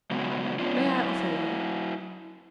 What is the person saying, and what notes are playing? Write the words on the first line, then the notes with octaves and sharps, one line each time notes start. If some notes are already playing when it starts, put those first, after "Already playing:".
"May I offer one?"
C#3 F#3 G#3 B3
G#3 B3 C#4 D4 F4
F#3 E4